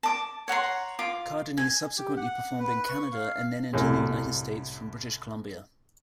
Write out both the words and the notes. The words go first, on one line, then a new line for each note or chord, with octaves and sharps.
Cardini subsequently performed in Canada and then entered the United States from British Columbia.
A5 D6
C#5 F#5 A#5 C6
F4 D6
G#5
G4
F#5
B4
C#6
F5
C2 F#2 A2